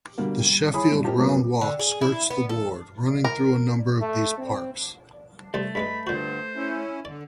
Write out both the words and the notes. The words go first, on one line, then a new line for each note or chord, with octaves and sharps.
The Sheffield Round Walk skirts the ward, running through a number of these parks.
B2 D3 G3 A#3
G3
E4 G#4 C#5 B5 D#6
G2
A#3 C4 D#4 F4 G4 A5
G2 C3 F#3 G3 A#3 B3
D3
G#4
E4
B3
A4
A#4
A3
C4
C2 G3 A3 C5
G2 G#3 B4 B5
G2 A#2 D3 F#4 C5
C#4 E4
D3 D5